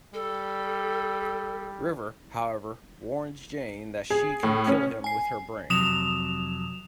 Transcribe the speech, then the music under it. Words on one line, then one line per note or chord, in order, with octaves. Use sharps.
River, however, warns Jayne that she can kill him with her brain.
G3 A4
G#4
A2
C#4
G#5 C7
F2 C3 F#3 D#6 E7 F7